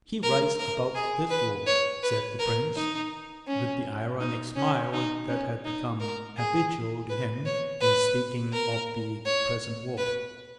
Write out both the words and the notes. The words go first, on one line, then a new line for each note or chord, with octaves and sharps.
"He writes about this war," said the prince, with the ironic smile that had become habitual to him in speaking of the present war.
A#4
A#4
G#4
B4
C#5
B4
A#4
D#4
C#4
D#4
C#4
D#4
C#4
D#4
A#4
G#4
B4
C#5
B4
A#4
C#5
B4